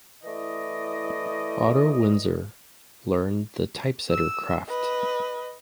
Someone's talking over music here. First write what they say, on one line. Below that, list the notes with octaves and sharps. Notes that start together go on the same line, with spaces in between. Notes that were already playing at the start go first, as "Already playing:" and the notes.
Otto Winzer learned the typesetter craft.
E3 A3 E4 D5 D#5
E6
B4 D#5